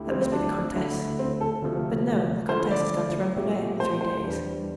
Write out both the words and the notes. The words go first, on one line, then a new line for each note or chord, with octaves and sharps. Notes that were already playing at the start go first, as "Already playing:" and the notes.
That must be the comtesse; but, no, the comtesse is gone to Rambouillet for three days.
Already playing: D2 D3 A3 E4 G4
C4
C4
D4
D2 D3 A3 E4
C4
A4
D2 C3 F3 A3
D3 F3 A3 E4 C5
D5
A#2 A3 C4 G4
C5
C5
E2 E3 G3 D4